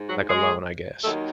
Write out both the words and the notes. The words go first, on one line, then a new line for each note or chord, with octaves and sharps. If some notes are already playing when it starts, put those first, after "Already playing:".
like, alone I guess,
Already playing: G#2
F#3 F#4
G#3 G#4
D#2 D#3 F#3 A3 A4